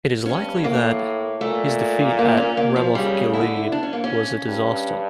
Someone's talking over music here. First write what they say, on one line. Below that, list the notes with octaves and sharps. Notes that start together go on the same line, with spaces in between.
It is likely that his defeat at Ramoth-Gilead was a disaster.
G2 C#4
A2 A#3
A#2 A3
A#3
C#4
A#3
F3
C#3 G3
D3 E4
D4
C#4
A#3
C#4
G2